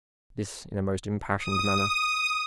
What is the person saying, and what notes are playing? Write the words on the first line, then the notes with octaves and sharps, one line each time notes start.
This in a most impassioned manner.
D#6